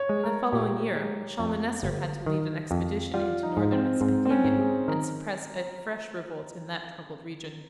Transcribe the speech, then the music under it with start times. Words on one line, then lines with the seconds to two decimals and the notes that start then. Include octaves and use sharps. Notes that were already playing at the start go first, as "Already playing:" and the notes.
In the following year Shalmaneser had to lead an expedition into northern Mesopotamia and suppress a fresh revolt in that troubled region.
Already playing: C#5
0.09 G#3
0.23 A#4
0.52 A#2 G4
0.96 G#3
1.39 F2
1.83 G1
2.26 D#3
2.71 F2
3.14 G3 F4
3.43 D#4
3.57 G#2
3.72 C4
4.01 G#2 C4
4.25 C4
4.30 C#4
4.44 G#2
4.59 G#4
4.88 D#3 A#4